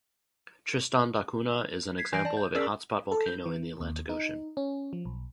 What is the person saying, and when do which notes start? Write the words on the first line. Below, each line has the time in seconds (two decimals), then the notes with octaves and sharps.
Tristan da Cunha is an example of a hotspot volcano in the Atlantic Ocean.
1.98 G#6 B6 C7
2.12 E3 G#5 G6 A#6 C7 D7
2.25 D5 A5
2.37 G6
2.55 C#4 G#4 A#4 D5 E6 B6
3.12 A4
3.26 G6
3.46 E3
3.80 D#2
4.09 D#4
4.57 C#4
4.93 F3
5.05 B1